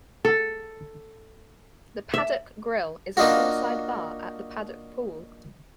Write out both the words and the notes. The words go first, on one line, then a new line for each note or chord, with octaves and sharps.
The Paddock Grill is a poolside bar at The Paddock Pool.
A4
E5
A#3 D4 D#4 F4 F#4